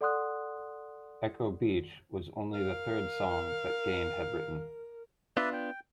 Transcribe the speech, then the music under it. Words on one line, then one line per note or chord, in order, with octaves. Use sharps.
"Echo Beach" was only the third song that Gane had written.
A4 D5 F#5 C6 D#6 F#6
A#4 F5
B3 D4 F4 B4 D5 E5
G5